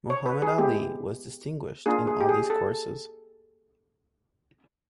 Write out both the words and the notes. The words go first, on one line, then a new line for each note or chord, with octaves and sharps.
Mohammad Ali was distinguished in all these courses.
C#5
B4
G#4
G#3 B3 E4 G4
A#3 D4 F4 G#4
G#4
G4
G#4
A4